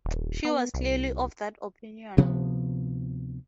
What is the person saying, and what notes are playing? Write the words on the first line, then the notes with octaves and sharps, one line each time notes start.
She was clearly of that opinion.
D#1
B3
C2
D2 C3 F3 B3